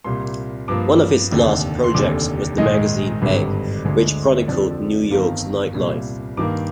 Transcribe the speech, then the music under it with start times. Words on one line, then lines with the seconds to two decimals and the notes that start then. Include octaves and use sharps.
One of his last projects was the magazine "Egg", which chronicled New York's nightlife.
0.04 C2 A#2 G3 A#3 C6
0.68 G2 F3 A#3 D6
1.31 F1 D#2 D3
1.84 C6
1.95 F1 D#2 D3 D6
2.58 A#1 G#2 D#3 G#3 D#5
3.22 G#1 G2 D3 G3
3.85 D2 D3 G#3
4.48 F2 D3 F3 D5
5.11 G1 F2 D#3 F5
5.74 C2 A#2 G3
6.37 G2 D#3 A#3 D6